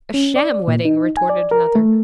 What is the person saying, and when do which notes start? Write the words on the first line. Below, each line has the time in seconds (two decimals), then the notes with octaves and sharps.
"A sham wedding," retorted another.
0.14 C#4
0.36 D5
0.68 A#2
0.85 D#4
1.17 G#5
1.29 D5
1.51 A#4
1.75 A3